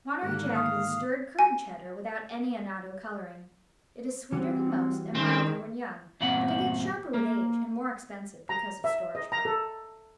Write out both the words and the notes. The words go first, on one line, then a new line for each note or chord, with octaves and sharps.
Monterey Jack is a stirred curd Cheddar without any annatto coloring. It is sweeter than most and milder when young, but it gets sharper with age and more expensive because of storage costs.
G#2 D3 D#3 A#3 F#6
F5 D#6
G#5
E3 G3 C4 F#4
A2 D#3 C4 C#4
E2 G2 A#2 C4 F#5
A#3
A#5
E5
D#5
A#5
A4